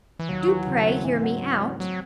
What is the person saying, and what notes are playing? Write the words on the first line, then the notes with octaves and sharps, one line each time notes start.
Do pray hear me out.
E3
D#2 F#3
E3
C#3
C4
G#2 E3
F#3 A3
E3
A3
F#3 C4